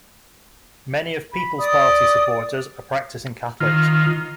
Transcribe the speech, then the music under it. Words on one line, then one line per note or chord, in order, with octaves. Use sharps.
Many of People's Party supporters are practicing Catholics.
B5
D5 D#6
D#3 F4